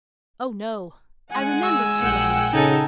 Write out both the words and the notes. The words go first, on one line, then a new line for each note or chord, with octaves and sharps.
Oh, no! I remember too well.
G#3 F#5 G#5
E6
A#1 F#5 G5
C#3 D#4 A4 G#5 A5